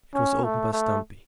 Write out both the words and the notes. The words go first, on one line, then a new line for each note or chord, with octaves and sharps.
It was opened by Stumpy.
C#4
A3
A3